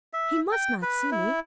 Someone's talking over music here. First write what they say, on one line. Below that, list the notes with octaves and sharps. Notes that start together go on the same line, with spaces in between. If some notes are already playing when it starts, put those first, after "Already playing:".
He must not see me.
E5
G5
B4
E4